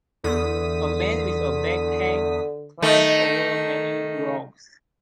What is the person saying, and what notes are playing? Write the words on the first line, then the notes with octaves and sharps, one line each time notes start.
A man with a backpack climbs over many rocks.
E2 D3 D#6 B6
D#3 A3